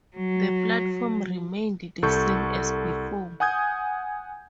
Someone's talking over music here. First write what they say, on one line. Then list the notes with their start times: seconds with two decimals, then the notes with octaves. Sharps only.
The platform remained the same as before.
0.17 F#3
2.03 C2 A4 C#6 G6 C#7
3.40 F#5 G#5 D#6 G6 G#6